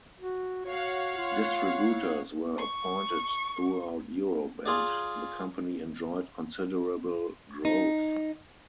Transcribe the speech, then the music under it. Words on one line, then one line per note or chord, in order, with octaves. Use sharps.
Distributors were appointed throughout Europe and the company enjoyed considerable growth.
F#4
F#4 C#5 F5 F#5
F4
E4
C#6
F4 G#4 D5
D#4